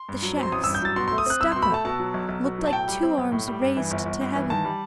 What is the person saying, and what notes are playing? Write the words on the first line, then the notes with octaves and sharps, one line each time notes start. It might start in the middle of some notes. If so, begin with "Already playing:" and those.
The shafts, stuck up, looked like two arms raised to heaven.
Already playing: C6
G2
F#3
C4
C6
A1 D#6
E6
G2
G6
F#3 A6
B2 C6
C6
A3
D#6
C4 F#6
C2 E6
C6
B2
B5
A3 A5
B2 A5
F#3
B1
B1
B2
F#3
A5
A2 G5
G3
C4
B1
A2
G3
G2
E3
G1
G1
G2
E3
D#3 A5
G3